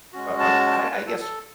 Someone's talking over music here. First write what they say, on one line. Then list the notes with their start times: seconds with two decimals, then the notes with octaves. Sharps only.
uh, I I guess
0.13 G#3 C#4 F#4
0.40 A5
0.67 A5
0.80 A5
0.93 B4
1.06 A4
1.20 A4